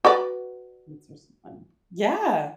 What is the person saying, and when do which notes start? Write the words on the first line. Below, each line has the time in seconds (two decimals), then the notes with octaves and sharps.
These are so fun. Yeah.
0.05 F#4 B4 D5